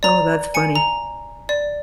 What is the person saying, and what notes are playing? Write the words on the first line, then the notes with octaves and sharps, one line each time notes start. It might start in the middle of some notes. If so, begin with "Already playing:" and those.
Oh, that's funny.
D5 A#5
G#5 C#7
A#5
D5